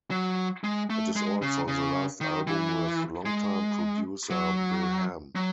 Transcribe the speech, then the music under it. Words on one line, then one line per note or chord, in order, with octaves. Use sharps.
It is also the last album with longtime producer, Bill Ham.
F#3
G#3
A3
G#3
C#3
C#3
D#3
E3
G#3
F#3
F#3